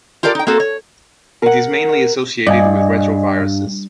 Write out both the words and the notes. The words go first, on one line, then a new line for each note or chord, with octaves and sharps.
It is mainly associated with retroviruses.
F4 G4 A4 A#4 D5
D#4 G5
A#3 C4 F#4 A4
C#5
A#4 F#5
G2 D5 D#5 G#5